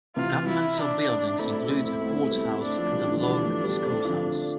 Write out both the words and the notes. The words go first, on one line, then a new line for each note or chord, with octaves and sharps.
Governmental buildings included a courthouse and a log schoolhouse.
C3 E3 F4
E4
D4
A3 C4 E4
A3 C4
A3 C4
A3 C4
A3 C4
A3 C4
G3 B3
A3 C4
A3 C4 D4
F3 A3
E3 G3
D3 F3
E3 G3 D4
F3 A3
G3 B3
A3 C4
D3 F3